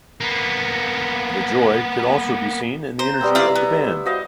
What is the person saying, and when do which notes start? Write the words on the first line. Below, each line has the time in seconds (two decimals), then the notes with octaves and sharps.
The joy could also be seen in the energy of the band.
0.21 A#3 B3
2.99 C5 A#5
3.21 G3 B3 C4
3.35 E4 F4 C5 D5
3.56 B3
4.06 F#4 C5 D#5 F5